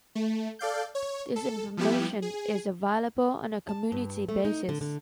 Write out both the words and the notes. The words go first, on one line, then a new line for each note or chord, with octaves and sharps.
This information is available on a community basis.
A3
A4 D5 F5 G6
C#5
A4
F3 G3 B3 E4 G4
G#4
A5
G2
A3
D#4
D3
D3